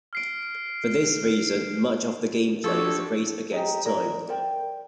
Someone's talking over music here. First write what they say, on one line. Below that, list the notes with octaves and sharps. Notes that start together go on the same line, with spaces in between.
For this reason, much of the gameplay is a race-against-time.
F6 C7 D7
F3 D4 F#4 G4 A4 C#6 G#6
G4 G#4 D#5 A#5
E4 G#4 A#4 D5
A#4 C5 D5 G5